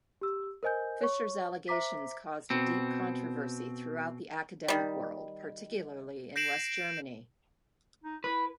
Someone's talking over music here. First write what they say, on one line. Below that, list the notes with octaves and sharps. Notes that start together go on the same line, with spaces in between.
Fischer's allegations caused a deep controversy throughout the academic world, particularly in West Germany.
G4 E6
A#4 C5 D#5 G#5 G6
C#5 C#6
C5 E5 A#5 D6 B6
B2 C4
D#3 G3
G6 A#6 C7 D7 E7 F#7
D#4
E4 B4